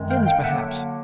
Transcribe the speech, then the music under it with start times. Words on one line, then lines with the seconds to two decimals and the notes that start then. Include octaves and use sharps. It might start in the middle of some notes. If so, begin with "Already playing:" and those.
Skins perhaps.
Already playing: F#2 D#3 G#3
0.08 F5 G5
0.26 F5 G5
0.43 D3 F#3 A#3 E5 F#5